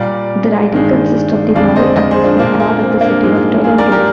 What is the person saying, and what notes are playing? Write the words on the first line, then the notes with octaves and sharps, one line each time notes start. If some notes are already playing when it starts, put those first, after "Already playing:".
The riding consists of the northwestern part of the City of Toronto.
Already playing: A#2 G3 D5 F5
G2 D#3 G#3
F2 D3 G#3 D5 F5
C5 D#5
C5 D#5
G#4 C5
D4 F4
A#2 G#3 A#3 D4
A#3
C4
A#3 D4
G#2 F3 G#3
F4 G#4
A#4 D5
G4 A#4